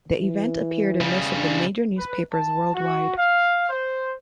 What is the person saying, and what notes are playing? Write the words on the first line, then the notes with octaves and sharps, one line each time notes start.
The event appeared in most of the major newspapers worldwide.
E3
C#3 G3
D4
B4
A5
F#4
F5
C5